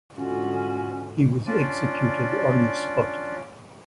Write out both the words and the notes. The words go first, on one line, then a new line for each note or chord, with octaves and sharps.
He was executed on the spot.
G#2 D3 C#4 F4 F#4
C#4 D4 F4 D5